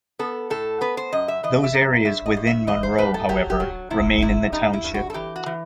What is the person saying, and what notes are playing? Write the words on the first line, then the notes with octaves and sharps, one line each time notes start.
Those areas within Monroe, however, remain in the township.
B3 A4
A2 A4
B3 B4
C5
F#2 D#5
E5
E3 D#5
E5
F#2
G2 E5
D#5
G2
E5
E3 D#5
C5
A2 B4
A4
F#3 G4
G4
F#3
C3 E4
C3 E4
G3 D#4
E4
G2
F#4
A4
E3 G4
F#4
E3